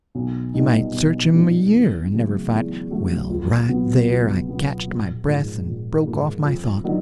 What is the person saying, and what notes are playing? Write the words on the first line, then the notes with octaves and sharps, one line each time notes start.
You might search him a year and never find--Well, right there I catched my breath and broke off my thought!
B1
A#2 G3 B3 D#4
B1
A#2 G3 B3 D#4
E2
C#3 F#3 A3
E2
C#3 F#3 A3
C#2
B2 F#3 B3
C#2
B2 F#3 B3
A#1
G#2 F3 A#3
A#1
G#2 F3 A#3
F2
D3 F#3 A#3 D#4